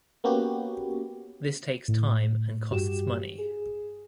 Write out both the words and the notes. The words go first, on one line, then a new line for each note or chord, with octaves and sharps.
This takes time and costs money.
A#3 B3 C#4 F#4 G4
A2
G2 F#4 G4 E7
G#4